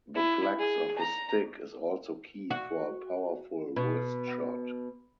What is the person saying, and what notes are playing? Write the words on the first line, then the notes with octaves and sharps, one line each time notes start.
The flex of a stick is also key for a powerful wrist shot.
E4
G#4
A#5
F#4
B2